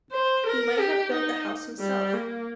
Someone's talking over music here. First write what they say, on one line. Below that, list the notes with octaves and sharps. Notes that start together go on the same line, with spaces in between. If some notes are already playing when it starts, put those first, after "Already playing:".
He might have built the house himself.
C5
A#4
G4
D#4
G3
A#3